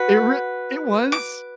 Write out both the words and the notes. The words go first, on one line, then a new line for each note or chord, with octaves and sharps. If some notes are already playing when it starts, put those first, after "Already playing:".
It rea it was
Already playing: F#4 B4
D6